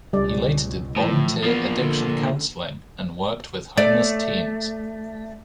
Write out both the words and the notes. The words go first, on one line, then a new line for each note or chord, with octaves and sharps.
He later did volunteer addiction counseling and worked with homeless teens.
C#2 B2 G3 D5
A2 E3 F3
F3 A#3 B3
D3
A3 D5